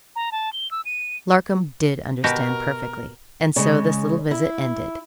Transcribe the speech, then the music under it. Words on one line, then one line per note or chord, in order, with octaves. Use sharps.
Larcom did understand perfectly, and so this little visit ended.
A#5
A5
G7
E6
D#7
B2 F#4 G4 A#4
C#3 G#3
E4